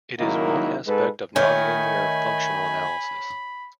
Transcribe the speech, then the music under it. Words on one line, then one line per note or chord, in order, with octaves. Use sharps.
It is one aspect of nonlinear functional analysis.
C#2 D#3 F#3 A#3 D#4 E4
G#2 G#3 A4 B4
D#3 A3 C#5 G#5 B5